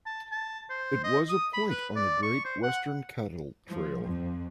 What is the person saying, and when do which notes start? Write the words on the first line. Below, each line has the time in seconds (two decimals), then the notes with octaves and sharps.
It was a point on the Great Western Cattle Trail.
0.06 A5
0.32 A5
0.70 C5
1.04 D#5
1.29 D#6
1.53 B5
1.70 B4
1.96 D5
2.23 C#6
2.45 C5
2.63 F#5
3.66 F3
4.03 F2